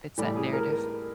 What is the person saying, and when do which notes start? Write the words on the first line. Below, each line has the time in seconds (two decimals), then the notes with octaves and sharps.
Fits that narrative.
0.18 A2 E3 G3 G4
0.35 G#4
0.53 A#4
0.70 A#4